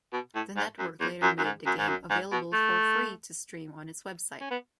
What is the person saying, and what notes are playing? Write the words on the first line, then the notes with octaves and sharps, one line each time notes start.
The network later made the game available for free to stream on its website.
B2
A2
G#2
F#2
E2
F#2
F#2
G#2
F#2
G#2
F#2
G#2
B2
A3
C#4
B3